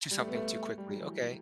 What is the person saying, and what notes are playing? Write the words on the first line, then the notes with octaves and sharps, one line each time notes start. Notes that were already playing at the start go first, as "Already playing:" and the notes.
Do something too quickly. Okay.
G3
A3
B3
A3
G3
F#3
E3